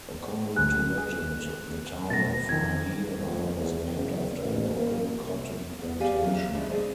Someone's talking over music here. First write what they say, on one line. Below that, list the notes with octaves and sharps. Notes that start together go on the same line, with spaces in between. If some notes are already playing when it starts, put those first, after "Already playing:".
According to legend, the town of Hahira was named after a local cotton plantation.
D2 G#4 F#6
G#4
B2 A3 A6 A#6
F2 D#3 G#6
F2
E2
F#1
A1
A#3
C2
B3
G4 D5 F5 G#5
E2 E3 F#3 F4
G#3 A3 C#4 D4 E4
C4 G#4 A4 D5 D#5